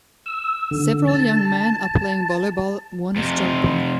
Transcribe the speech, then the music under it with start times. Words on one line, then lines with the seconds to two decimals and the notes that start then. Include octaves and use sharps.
Several young men are playing volleyball one is jumping.
0.26 E6
0.71 D3
1.07 A5
3.16 F2 C3